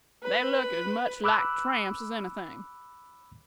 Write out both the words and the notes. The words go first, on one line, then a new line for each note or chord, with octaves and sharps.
They looked as much like tramps as anything.
B4
B5 D6 E6 F#6